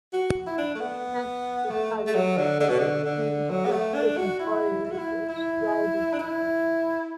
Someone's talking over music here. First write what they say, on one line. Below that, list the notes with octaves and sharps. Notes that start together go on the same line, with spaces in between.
Next was targeted because it claimed to be a good employer and was thriving.
F#4
E4
D4
A3
B3
A3
A3
F#3
D3
D3
B2
D3
D3
F#3
B3
A3
D4
F#4
E4
E4
F#4
E4
E4
D4
E4